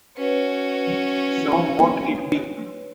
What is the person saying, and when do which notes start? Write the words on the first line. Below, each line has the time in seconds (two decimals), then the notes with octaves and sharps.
So mote it be.
0.17 C#4 F#4 B4 C#5